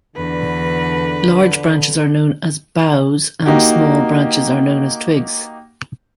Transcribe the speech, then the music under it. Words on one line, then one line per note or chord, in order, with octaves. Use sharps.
Large branches are known as boughs and small branches are known as twigs.
E2 D3 B4
A#3 D#4 F#4 G4